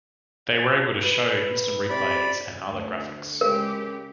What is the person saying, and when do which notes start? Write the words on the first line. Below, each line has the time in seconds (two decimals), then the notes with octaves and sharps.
They were able to show instant replay and other graphics.
1.02 B4
1.90 C3 D5 B5
2.66 D2
3.41 C#3 G#3 G4 A#4